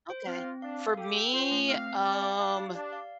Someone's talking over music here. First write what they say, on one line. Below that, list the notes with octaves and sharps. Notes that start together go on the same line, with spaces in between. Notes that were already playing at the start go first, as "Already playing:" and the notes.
Okay, for me, um
C5
C4 F4
C4
D4 F5
F5
G4 A4
G5
F4 C5
A3
C4 F5
C4
D5 A5
F5
D4 F5
G4
D4 D5
F5